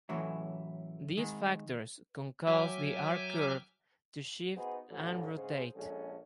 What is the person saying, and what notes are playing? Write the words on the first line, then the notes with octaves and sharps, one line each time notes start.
These factors can cause the R curve to shift and rotate.
A2 E3 F#3 C#4 E4
D#3 G#3
F#3 E5 G5 G#5 D6 F6
B3 D#4 F#4 G#4 B4 C5
A1 A2 D3 E3 F3
G#2 C#3 C#4 G#4 C5
A#1 G#3 C#4 A4